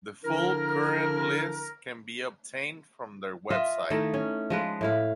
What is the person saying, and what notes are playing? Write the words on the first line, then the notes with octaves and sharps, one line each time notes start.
The full current list can be obtained from their website.
D3 F3 D4 E4 A#4
F4 D#5 E5
D#3 A3 D#4 E4
C#4
F3 G#3 B4
A2 E4 F5